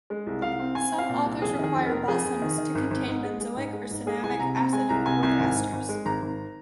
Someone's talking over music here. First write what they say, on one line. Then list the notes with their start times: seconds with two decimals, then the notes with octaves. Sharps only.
Some authors require balsams to contain benzoic or cinnamic acid or their esters.
0.10 G#3
0.27 C2
0.42 C2 F5
0.59 C4
0.75 C4 G#5
0.92 C4
0.98 F5
1.09 A#2
1.26 C2
1.42 F2 G#4
1.59 D#3 G#4
1.75 F2
1.86 A#4
1.92 F1
2.08 F2 G#4
2.25 F2
2.42 D#3
2.58 D#3
2.75 G#1
2.91 G#1
3.08 G#2
3.24 G#3
3.41 G#3
3.57 G#2
3.73 G#3
3.91 G#2
4.06 G#3 G#4
4.23 C2 G#5
4.40 C3 A#5
4.56 C4 A#5
4.73 G#3 G#5
4.89 C2 A#5
5.06 C3 G#5
5.23 C2 G#5
5.40 G#1
5.56 G#2
5.73 G#1
5.89 G#3
6.05 G#1 A#5
6.22 G#1